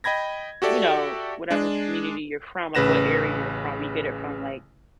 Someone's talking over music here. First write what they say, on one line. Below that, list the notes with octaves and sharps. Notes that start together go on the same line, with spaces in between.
you know, whatever community you're from, like, what area you're from, you get it from, like,
D#5 G5 B5 G#6 A#6
F#4 G4 A4 D5 E5
G#3 D4
A1 C#3 B4 A#6 E7